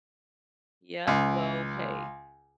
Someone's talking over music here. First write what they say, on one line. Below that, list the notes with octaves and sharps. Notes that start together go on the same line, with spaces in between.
Yup, well hey,
C#2